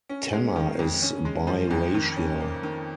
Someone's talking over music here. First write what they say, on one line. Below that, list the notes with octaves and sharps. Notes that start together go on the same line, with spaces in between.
Tanner is biracial.
C#4
G#3
D#3
F2
C#4
G#3
F3
F2
D#3
C#4
A#3
D#3